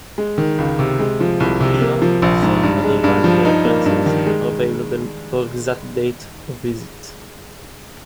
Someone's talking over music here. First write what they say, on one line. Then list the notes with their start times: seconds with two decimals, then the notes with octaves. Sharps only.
Beyond this no other valid references are available for exact date of visit.
0.18 G#3
0.38 D#3
0.58 C#2
0.79 C3
0.99 G#3
1.20 F3
1.40 C2
1.61 C3
1.81 A#3
2.02 F3
2.22 A#1
2.43 G#2
2.63 G2
2.84 G#3
3.04 G2
3.24 F3
3.45 D#4
3.65 A#3
3.86 G2
4.06 D#3
4.26 G#3